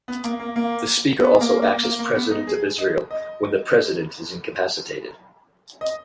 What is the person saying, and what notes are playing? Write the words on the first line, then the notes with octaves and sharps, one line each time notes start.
The Speaker also acts as President of Israel when the President is incapacitated.
B3
A#3
A#3
A#3
B3
A#3
A#3
A#3
A#3
B3
D#4
G#4
D#5
D#5
D#5